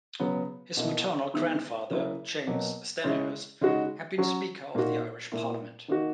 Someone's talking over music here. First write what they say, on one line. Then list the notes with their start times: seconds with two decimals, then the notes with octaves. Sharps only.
His maternal grandfather, James Stanihurst, had been speaker of the Irish parliament.
0.20 C#3 F#3 B3
0.77 B2 A#3 E4
1.34 D#3 G#3 B3 E4
1.90 C#3 F#3 A#3 E4
2.47 B2 F#3 A#3
3.04 C#3 G#3 C#4 E4
3.61 C#3 G#3 D#4 F#4
4.18 F#3 C#4 F#4
4.75 A#2 A#3 D#4 F#4
5.32 A#2 A#3 E4
5.88 D#3 A#3 D#4 F#4